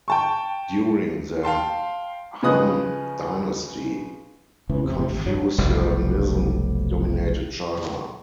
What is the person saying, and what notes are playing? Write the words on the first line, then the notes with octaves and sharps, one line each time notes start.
During the Han dynasty Confucianism dominated China.
G5 A5 C#6
F5 G5 A5 C6
C#3 F3 B4 D#5 D#6 F#6
E1 C#2 E3
F1 C3
A1 C3
G#1
F1 G2 F#3
F1 B1 G3